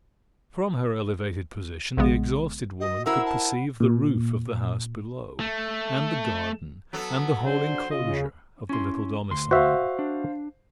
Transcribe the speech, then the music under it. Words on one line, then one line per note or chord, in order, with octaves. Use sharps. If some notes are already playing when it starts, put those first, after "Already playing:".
From her elevated position the exhausted woman could perceive the roof of the house below, and the garden and the whole enclosure of the little domicile.
A#1 C#3 G#3 B3
F#4 D#5
E4 A#4 C5 F#5 B5 E6
A5
A#2
A3
F#3 B3 A4
D4 C5
C#3 F4 D#5
C#4 E4 C6
D2 C6
F#4 C5 E5 F5
D4